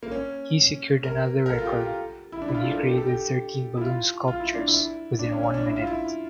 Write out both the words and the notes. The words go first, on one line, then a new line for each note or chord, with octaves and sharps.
He secured another record when he created thirteen balloon sculptures within one minute.
A#3
C#4
A#4
A#4
A4
F4
G4
F4
E4
D4
E4
F4
A4
A#4
A4
G4
A4
G4
E4
F4
F4
E4
D4
E4
D4
C#4
C#4
D4
E4
F4
E4